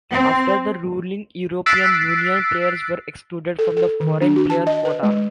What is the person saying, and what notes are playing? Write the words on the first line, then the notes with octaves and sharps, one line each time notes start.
After the ruling European Union players were excluded from the "foreign" player quota.
C4
E6 F#6 A6 B6 C7 D7
A4
A4
D#3
D4
F#4
A5
D#5
B4
G#3